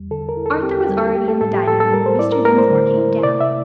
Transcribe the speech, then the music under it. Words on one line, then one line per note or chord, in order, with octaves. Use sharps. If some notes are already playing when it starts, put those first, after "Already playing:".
Arthur was already in the dining-room when Mr. Dinsmore came down.
Already playing: E2 G3
D3 A4
A#4
E4
A4
C4 G4
G4
G3
A4
A#3 G4
A4
A2 A4
G4
A2 A4
A4
G3 A#4
C5
E4 D5
A#4
A3 A#4
C5
D3
E4
C3 D5
E5